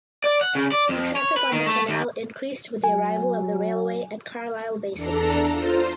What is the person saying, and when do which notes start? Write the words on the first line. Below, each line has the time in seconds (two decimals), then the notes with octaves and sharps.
Traffic on the canal increased with the arrival of the railway at Carlisle basin.
0.24 D5
0.41 F#5
0.55 C#3
0.72 D5
0.89 F2
1.16 C#5
1.37 B4
1.53 D#3
1.66 A3
1.89 D#2
2.84 F#3 G#5
4.94 E2 D4 A4 A#5
5.50 F4 C5